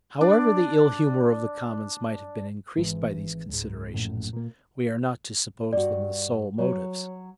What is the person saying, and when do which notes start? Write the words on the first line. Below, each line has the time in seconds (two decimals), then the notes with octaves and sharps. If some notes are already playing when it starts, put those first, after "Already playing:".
However the ill humor of the commons might have been increased by these considerations, we are not to suppose them the sole motives.
0.21 D4 D5
2.77 G#1 G#2 E3
3.49 C#2 G#2
3.94 A#1 F#2 A2
4.33 A#2 A#3
5.73 G2 F#4 D5
6.59 F#3 C#5